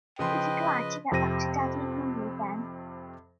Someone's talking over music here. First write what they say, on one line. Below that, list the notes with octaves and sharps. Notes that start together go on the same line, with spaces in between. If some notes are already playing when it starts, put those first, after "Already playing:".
Is he glad to get back to Daddy and Mummy again?
C#3 F3 B4 D#5 G5 C6
F2 C3 C4 A#6 D#7